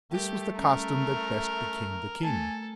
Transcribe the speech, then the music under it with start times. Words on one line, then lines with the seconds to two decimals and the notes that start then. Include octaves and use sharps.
This was the costume that best became the king.
0.12 G3 A3 G4 A#4
0.57 C#4 A#4
2.23 A3 A4 G#5 A5